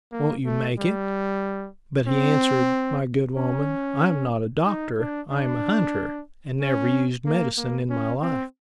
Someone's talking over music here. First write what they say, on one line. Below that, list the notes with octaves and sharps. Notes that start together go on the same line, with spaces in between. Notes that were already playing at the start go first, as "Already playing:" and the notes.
Won't you make it?" But he answered: "My good woman, I am not a doctor, I am a hunter, and never used medicine in my life.
A#3
A3
G3
C4
C#4
D#4
D4
D4
C#4
A#3
A#3
C#4
C4